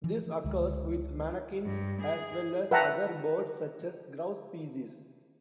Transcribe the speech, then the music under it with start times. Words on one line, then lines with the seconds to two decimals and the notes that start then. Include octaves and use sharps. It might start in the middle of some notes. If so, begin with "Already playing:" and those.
This occurs with manakins, as well as other birds such as grouse species.
0.04 E3 F3
0.44 C#2 D3 G#3
1.65 G2
2.02 G#4
2.71 B4 E5 F#5 G5 A5 A#5